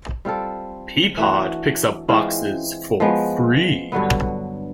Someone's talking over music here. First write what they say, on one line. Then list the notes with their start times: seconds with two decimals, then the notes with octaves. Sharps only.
Peapod picks up boxes for free.
0.25 G3 C4 F4 A4
1.17 E3 A3 D4 F#4
2.08 E3 G#3 C4 F4
3.00 F3 G#3 B3
3.92 G2 D3 F#3 B3